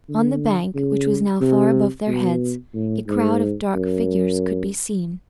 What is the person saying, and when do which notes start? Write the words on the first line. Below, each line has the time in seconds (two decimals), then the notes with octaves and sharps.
On the bank, which was now far above their heads, a crowd of dark figures could be seen.
0.09 D3
0.75 C#3
1.41 C3
2.07 B2
2.74 A2
3.07 G#2
3.74 F#2